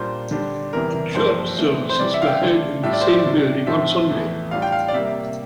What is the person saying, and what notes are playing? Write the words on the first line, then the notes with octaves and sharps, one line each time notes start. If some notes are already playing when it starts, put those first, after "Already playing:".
Church services were held in the same building on Sunday.
Already playing: A#2 G3 D4 F4 C5
D3 G3 D4
E2 C3 E3 G3 A#4
G2 F3 A#3 C5
G2 E3 A3 C4
C5
C3 E3 G3 D5
E5
F5
G5
D3 A3 D4 F4
A2 G3 D4 F4 E5
D5
C5
D5
C3 G3 D4
A2 F3 A3 C4 E5
E2 E3 A3
A2 G3 D4 F4 F5
G5
F5
D5
C3 G3 A#3 E5